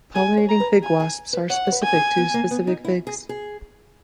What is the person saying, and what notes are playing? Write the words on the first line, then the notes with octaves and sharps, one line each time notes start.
Pollinating fig wasps are specific to specific figs.
G#4 G#5
C#5
A#5
B4
G#4 G#5
G#4
B4
C#5 F#5
C#5
B4
G#5
G#4
B3
A#3
B3
D#4
E4
G#4
G#4